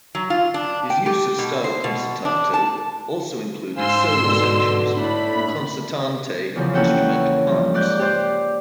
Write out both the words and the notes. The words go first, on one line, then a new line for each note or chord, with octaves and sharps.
His use of "stile concertato" also included solo sections and concertante instrumental parts.
F#3
F4
D4
G5
G4
B2
C5
B2
D4
A5
G#2 C5 F5 G#5 C6 E6
B2 D3
A2 A3 D4 B5
E2 C#3 F3
A#3 C#4 E4 A4 F#5 G5
C#5
G2 F3
G#2 D5 F#6 G6
G4 C5 D5